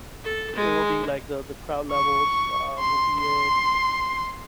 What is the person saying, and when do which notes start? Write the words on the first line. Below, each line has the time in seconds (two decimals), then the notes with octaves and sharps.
it will be, like, the the crowd levels, uh, will be it.
0.25 A4
0.56 G#3
1.92 C#6
2.78 C6
3.21 C6